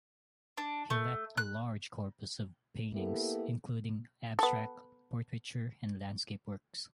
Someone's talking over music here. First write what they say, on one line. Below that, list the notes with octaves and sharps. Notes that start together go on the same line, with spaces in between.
He left a large corpus of paintings, including abstract, portraiture and landscape works.
D4
A3
F#6
A#3 B3 E4 G4 A4
B3 A4